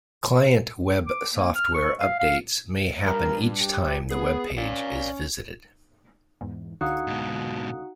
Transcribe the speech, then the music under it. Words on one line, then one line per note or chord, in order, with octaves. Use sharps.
Client web software updates may happen each time the web page is visited.
D6
A#3
F6
C#6
F5
F5
G2 A#4
G4
B3 G#4
C#4 D5 F5
E2 G#2
C#2 D3 D#4 F#4 F5 F#5 D#6 F#6
G#2 B2